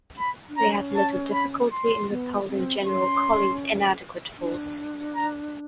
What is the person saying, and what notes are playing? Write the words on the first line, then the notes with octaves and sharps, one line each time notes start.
They had little difficulty in repulsing General Colley's inadequate force.
B5
D4
C#4 A#5
A5
B5
C6
B3
C4
C4
C#4 C6
D4
A#5